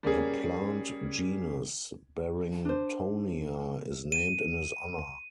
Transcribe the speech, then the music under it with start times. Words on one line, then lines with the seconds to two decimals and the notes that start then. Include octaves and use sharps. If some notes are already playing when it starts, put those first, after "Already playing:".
The plant genus "Barringtonia" is named in his honour.
0.03 G3 A#3 C#4 G#4
2.65 D4 C5
4.12 D#7